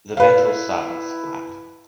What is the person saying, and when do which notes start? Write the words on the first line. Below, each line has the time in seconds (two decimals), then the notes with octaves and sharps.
The ventral side is flat.
0.17 B4 F5
0.36 E4